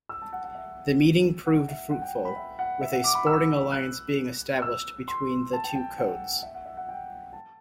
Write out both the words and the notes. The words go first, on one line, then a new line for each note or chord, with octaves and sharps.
The meeting proved fruitful, with a sporting alliance being established between the two codes.
E6
A5
F#5
F#5
E5
F#5
E5
F#5
G5
B5
E5
F#5
E5
F#5
D6
B5
E6
F#6
E6
C6
A5
G5
G5
F#5
E5
F#5
E5
F#5
G5
A5